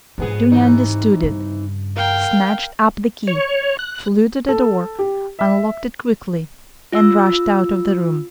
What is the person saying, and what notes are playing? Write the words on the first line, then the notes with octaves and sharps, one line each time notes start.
Dounia understood it, snatched up the key, flew to the door, unlocked it quickly and rushed out of the room.
F2 G#2 D#3 B3 G#4
C3 E3 D#4
G2 C#3
A#4 F5 G5
C#5
F#6
A4
G4
E5
F4 E6